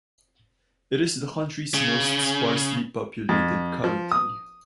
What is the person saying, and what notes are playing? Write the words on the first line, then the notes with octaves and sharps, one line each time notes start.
It is the country's most sparsely populated county.
C#3
F2
F3
D#6